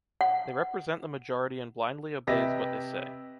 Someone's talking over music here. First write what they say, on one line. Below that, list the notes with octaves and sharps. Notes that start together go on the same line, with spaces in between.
They represent the majority and blindly obeys what they say.
F#5
C3 G4 B4 D#5 E5 A#6